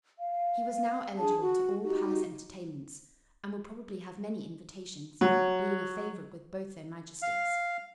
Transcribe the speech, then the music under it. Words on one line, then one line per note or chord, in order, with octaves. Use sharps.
He was now eligible to all palace entertainments, and would probably have many invitations, being a favorite with both their majesties.
F5
D4 G#4 A5
F#4
D#4 F#4 G4
F#3
F5